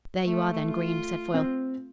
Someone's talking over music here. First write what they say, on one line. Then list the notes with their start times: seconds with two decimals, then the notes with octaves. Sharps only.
"There you are, then, Green," said Foyle.
0.25 A3
0.69 F4
1.34 C4